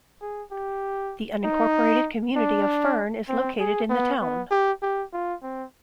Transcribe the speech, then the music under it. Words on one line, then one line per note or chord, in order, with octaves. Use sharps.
The unincorporated community of Fern is located in the town.
G#4
G4
D#4
D4
C4
G#4
B3
B3
G4
G4
F4
C4